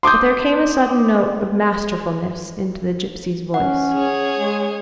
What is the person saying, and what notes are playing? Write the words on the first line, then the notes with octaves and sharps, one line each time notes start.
But there came a sudden note of masterfulness into the gipsy's voice.
C6 D6 D#6 G6
C#4 F#5
G#4 C#5
G#3